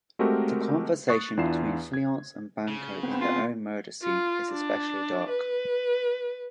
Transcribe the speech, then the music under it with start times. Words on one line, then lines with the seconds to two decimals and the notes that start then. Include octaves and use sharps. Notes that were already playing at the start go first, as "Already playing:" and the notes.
The conversation between Fleance and Banquo in their own murder scene is especially dark.
0.19 G#3 A3 C4 F#4 G4 A#4
1.08 C#6 D#6 F#6 A6 C7
1.37 E2 D4 E4 F4 C7 E7
1.94 G#6
2.68 C#3
3.03 B3 C4
3.21 F4
4.02 F4
4.51 D4
5.29 B4